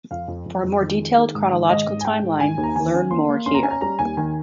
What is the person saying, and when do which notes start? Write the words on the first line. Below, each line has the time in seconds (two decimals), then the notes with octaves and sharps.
For a more detailed chronological timeline, learn more here.
0.11 F2 F5
0.28 F2
0.46 F2
0.64 F2
0.81 D#3
1.00 G#3
1.17 D#3
1.35 G#2
1.52 D#3
1.69 G#2 D#5
1.87 G#2
2.01 G#5
2.05 G#3 G5
2.22 G#2
2.40 D#3 G#5
2.58 D#2
2.63 A#5
2.76 D#3 G#5
2.94 C#4
3.11 A#3 C6
3.28 A#3
3.46 C#4 C6
3.54 A#5
3.63 C#4 G#5
3.70 A#5
3.81 G3 A#5
3.99 D#2 G#5
4.17 D#3 G#5